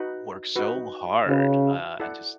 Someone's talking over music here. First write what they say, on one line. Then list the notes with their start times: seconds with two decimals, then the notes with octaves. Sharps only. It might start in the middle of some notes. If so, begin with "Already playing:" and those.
work so hard, uh, and just
Already playing: D#4 F#4 B4
0.56 D#4 F#4 B4
1.28 C#3 D#4 F#4 B4
2.00 E4 A4 D5 F#5